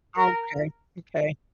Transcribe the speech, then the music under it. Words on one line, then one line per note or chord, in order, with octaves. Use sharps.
Okay, okay.
A#4